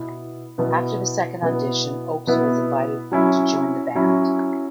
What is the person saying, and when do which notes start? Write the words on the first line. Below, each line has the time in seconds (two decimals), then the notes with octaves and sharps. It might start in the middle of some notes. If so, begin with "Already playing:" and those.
After the second audition Oakes was invited to join the band.
Already playing: B2 B3 E4
0.58 B2 B3 E4
1.42 B2 B3 E4
2.27 B2 B3 E4
3.12 F#3 C#4 E4
3.95 F#3 C#4 E4